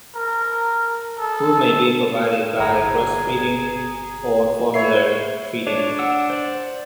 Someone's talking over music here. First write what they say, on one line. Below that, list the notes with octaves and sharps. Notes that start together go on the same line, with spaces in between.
Food may be provided by breastfeeding or formula feeding.
A#4
A4
G1 G#4 A#5
E4 C#5 C7
D4 C#5
F#5 E6
C5 D5